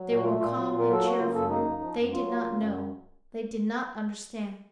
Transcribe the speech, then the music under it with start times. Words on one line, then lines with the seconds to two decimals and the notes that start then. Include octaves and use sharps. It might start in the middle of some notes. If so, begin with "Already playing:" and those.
They were calm and cheerful; they did not know, they did not understand.
Already playing: F#3
0.09 A#2
0.15 F#4
0.24 A3 F4
0.39 A#2 F4
0.56 F#3
0.71 A#2
0.79 A#4
0.88 F#3 A4
1.04 A#3 F#4
1.19 C#3 F4
1.34 F#2 A4
1.50 A#3 D#4
1.66 F#2
1.82 F3
1.98 F#2
2.13 F#3 F4
2.29 A#3
2.44 C#3
2.61 F#2